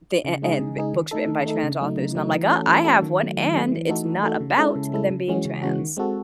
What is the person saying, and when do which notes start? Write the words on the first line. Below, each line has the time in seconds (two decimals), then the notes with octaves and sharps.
the eh em books written by trans authors, and I'm like, "Uh, I have one, and it's not about them being trans."
0.25 C#3
0.42 G#3 D#4 G#4
0.59 C#3
0.77 G#3 D#4 G#4
0.94 D#3
1.11 A3 D#4 A4
1.29 D#3
1.46 A3 D#4 A4
1.63 C#3
1.81 F#3 A3 D#4
1.97 C#3
2.15 F#3 A3 D#4
2.33 E3
2.50 A3 C#4 F#4 A4
2.68 E3
2.85 A3 C#4 F#4 A4
3.02 D#3
3.20 F#3 A3
3.37 D#3
3.54 F#3 A3
3.72 E3
3.89 A3 D#4 F#4 A4
4.06 E3
4.23 A3 D#4 F#4 A4
4.40 C#3
4.58 G#3 C#4 E4 A4
4.75 C#3
4.93 G#3 C#4 E4 A4
5.10 C#3
5.28 E3 G#3 C#4 F#4
5.45 C#3
5.63 E3 G#3 C#4 F#4
5.79 D#3
5.97 G#3 C4 F#4 A4